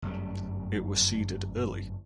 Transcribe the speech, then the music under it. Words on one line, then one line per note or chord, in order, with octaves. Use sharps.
It was seeded early.
G1 F#2 G3 A3